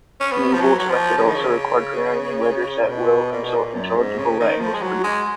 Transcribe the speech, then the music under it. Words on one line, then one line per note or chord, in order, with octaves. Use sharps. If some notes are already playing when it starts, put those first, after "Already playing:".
Newbold's method also required rearranging letters at will until intelligible Latin was produced.
C#4
B3
F3
F#3
F#3
F3
C#3
D#3
C#3
A#2
B2
A#2
B2
A#2
F#2
G#2
C#3
D#3
F3
G#3
F#3
G#3